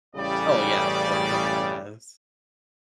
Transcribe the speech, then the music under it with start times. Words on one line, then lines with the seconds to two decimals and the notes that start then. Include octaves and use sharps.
Oh, yeah, of course. Everyone has.
0.15 A1 C#3 G3 D5